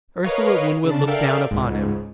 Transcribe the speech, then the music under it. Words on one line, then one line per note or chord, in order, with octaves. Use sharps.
Ursula Winwood looked down upon him.
A#4 B4 C#5 D#5 F5
C#3 D4 A5
A4 A#4 D5 E5 F5 G5
C#2 G#2